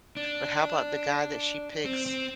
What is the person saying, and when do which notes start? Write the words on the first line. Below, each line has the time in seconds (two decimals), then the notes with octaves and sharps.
But how about the guy that she picks
0.17 D4
1.85 C4
2.06 C4